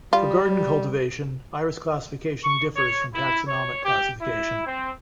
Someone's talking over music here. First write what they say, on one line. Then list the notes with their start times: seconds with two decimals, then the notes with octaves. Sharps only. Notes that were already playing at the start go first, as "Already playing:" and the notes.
For garden cultivation, iris classification differs from taxonomic classification.
0.13 G3 F4
2.44 C#6
2.76 C#5
3.15 E4
3.48 C#5
3.84 G4
4.22 E4
4.67 C4